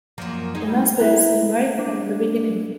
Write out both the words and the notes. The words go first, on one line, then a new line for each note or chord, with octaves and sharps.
The master is seen right from the beginning.
F#2 F3 A#3
D#4 G#4
G3
E4 B4 A#5
D4